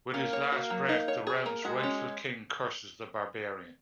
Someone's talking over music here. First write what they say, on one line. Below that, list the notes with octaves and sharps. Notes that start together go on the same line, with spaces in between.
With his last breath, the realm's rightful king curses the barbarian.
A#3 C#4
C#5
F#4
F#3
D#4
C#5
G#4
A#3
G#3 F#4
C#4